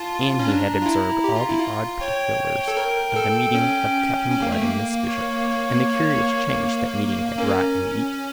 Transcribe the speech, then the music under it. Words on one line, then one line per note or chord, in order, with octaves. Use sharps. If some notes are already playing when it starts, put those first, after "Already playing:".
And he had observed all the odd particulars of the meeting of Captain Blood and Miss Bishop, and the curious change that meeting had wrought in each.
Already playing: F4 A5
C#4
D4 A#5
F4
E4
G4
F4
E4
F4
C#5 G5
A4
A#4
A4
C#4
C#4
A#3
A3
A#3
C#5
C#4 A#4